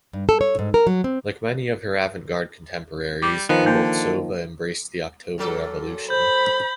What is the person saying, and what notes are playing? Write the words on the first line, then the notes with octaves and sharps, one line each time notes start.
Like many of her avant-garde contemporaries, Udaltsova embraced the October Revolution.
G2
A4
C#5
G#2
A#4
F#3
C4
G3 D6
D#3 F3 B3
D3 A#3
A#2 F#3 A4
C5 B5 G6